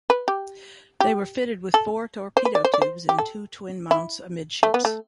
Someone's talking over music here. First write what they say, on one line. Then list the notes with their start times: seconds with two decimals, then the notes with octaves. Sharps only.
They were fitted with four torpedo tubes in two twin mounts amidships.
0.10 B4
0.28 G4
1.00 G4
1.74 A4
2.37 C5
2.45 B4
2.55 D5
2.65 C5
2.74 D5
2.82 C5
3.09 G4
3.19 A4
3.91 E4
4.63 A3
4.74 B3
4.85 A3